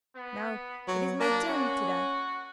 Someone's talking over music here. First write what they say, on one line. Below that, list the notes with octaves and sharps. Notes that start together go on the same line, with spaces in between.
'Now it is my turn to die.
B3
F#3
A#3 D4
C#4 F#4